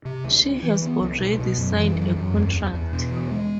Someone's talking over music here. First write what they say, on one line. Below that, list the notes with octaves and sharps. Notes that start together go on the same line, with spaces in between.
She has already signed a contract.
C3
D2
D2
E3
B3
C2
B2
B2
F#2
E3
F#2
F#2
E2
E2
E2
B2
E3
G#3